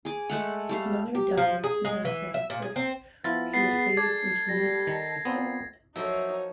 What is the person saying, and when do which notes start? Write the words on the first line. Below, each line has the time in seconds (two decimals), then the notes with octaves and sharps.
His mother died soon after his birth, and he was raised in Geneva, Switzerland.
0.05 G#4 D6
0.29 G#3 A3 F#5
0.69 G3 A3 F5
1.15 G4
1.37 F3
1.64 G#4
1.85 G#3
2.05 E3
2.34 E5
2.50 A#2
2.62 G#4
2.76 C4
3.24 F3 B3 E4 F4 A6
3.54 B3 G#4 C7
3.97 A4 D5 G#6
4.49 G3 A#6
4.87 D#3
5.25 A#2 B3 C4
5.96 F3 F#3 A#3 D#4 C#5 E5